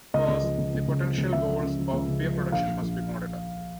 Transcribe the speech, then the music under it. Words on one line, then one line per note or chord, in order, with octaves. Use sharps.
First, the potential goals of peer production must be modular.
C#2 D#5
C#2
F3
C#2
C#2
C#2
F3
C#2
C#2 E5
F3
C#3
F3
C#2
C#3
F3
F3
A#1 F5
A#1
A#1